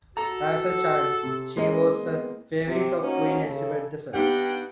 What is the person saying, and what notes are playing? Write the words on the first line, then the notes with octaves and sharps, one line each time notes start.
As a child she was a favourite of Queen Elizabeth the First.
F#4 A4 A#5
C3
A2 G#3 A#3 C#4 D#5
E3 B3 C4
C3
F3 A#3 C#4 D#4 F#4
C#3 A4
G2 B3 D#4 G4 F#5 G5